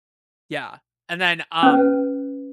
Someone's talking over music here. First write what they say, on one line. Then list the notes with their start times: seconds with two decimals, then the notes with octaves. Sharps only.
Yeah, and then, um
1.63 C#4 B4